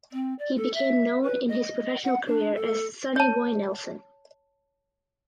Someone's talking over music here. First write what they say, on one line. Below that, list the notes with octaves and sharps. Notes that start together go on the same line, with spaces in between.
He became known in his professional career as Sonny Boy Nelson.
C4
D5
A4
E5
B4
D#5
F#5
D4
A4
C#5 A5